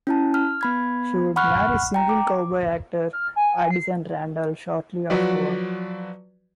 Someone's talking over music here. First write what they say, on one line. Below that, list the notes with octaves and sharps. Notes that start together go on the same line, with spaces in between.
She would marry singing cowboy actor Addison Randall shortly afterward.
C#4 E4 A5
F6
B3 B5 G#6
F#5 B5 C#6 F6 F#6
G5 A#5
D6
F6
G#5
C7
F3 F#3 F#4 B4 D5